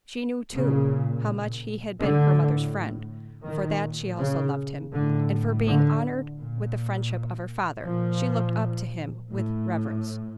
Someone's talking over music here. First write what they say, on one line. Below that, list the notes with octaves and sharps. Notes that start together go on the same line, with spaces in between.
She knew, too, how much he had been her mother's friend; for that, she also loved him; and for being honoured with the friendship of her father, she looked up to him with reverence.
A#2 C#3
A2 D3
A#2 D#3
C#3
A2 D3
D3
A#2
A#2 F3
A2